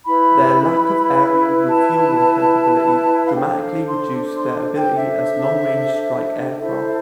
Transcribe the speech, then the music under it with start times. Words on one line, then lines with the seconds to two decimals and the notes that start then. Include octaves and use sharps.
Their lack of aerial refueling capability dramatically reduced their ability as long-range strike aircraft.
0.04 E4 B4 B5
1.69 A5
3.27 F5
3.32 D4 A4 C5 G5
3.60 F5
3.87 C6
4.35 C6
4.76 G5
4.96 E5
6.60 E4 A4 C5 E5